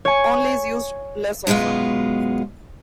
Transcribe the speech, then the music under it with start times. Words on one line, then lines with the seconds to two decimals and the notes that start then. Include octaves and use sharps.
Only is used less often.
0.05 C#5 G#5
1.47 F#2 B2 G#3 B3 F4